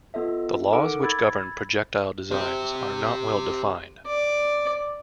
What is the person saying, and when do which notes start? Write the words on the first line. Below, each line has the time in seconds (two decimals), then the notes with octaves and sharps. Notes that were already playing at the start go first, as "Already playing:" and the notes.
The laws which govern projectile designs are not well-defined.
0.14 B3 F4 A4 D#5 E5
0.72 D#4 A4 A#4 F#5 D6 D7
1.03 B5 E6 G#6 A6
2.31 G4 C5
4.07 D5